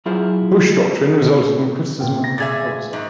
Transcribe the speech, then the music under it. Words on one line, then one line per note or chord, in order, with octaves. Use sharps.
The Bush Doctrine resulted in criticism and controversy.
F#3 E4 F4 G#4 C5
A#2 G5
A#6
A#2 G#4 E5 G#6 A6
G#2 D#3